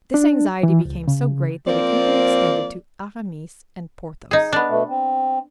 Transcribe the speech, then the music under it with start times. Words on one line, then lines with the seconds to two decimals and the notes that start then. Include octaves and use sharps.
This anxiety became so great that it even extended to Aramis and Porthos.
0.14 D4
0.63 E3
0.85 C#2
1.08 C#3
1.67 F3 A#3 C4 D5
4.31 D#4 G#4
4.53 B3 D4
4.69 B2 A3
4.89 C4